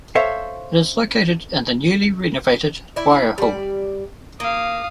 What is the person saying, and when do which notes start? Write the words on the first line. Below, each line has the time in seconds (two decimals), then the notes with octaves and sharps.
It is located in the newly renovated Dwire Hall.
0.15 A4 C5 C#5 E5 F5
2.96 E4 D5
3.38 G3 D5
4.40 A#3 F5 D#6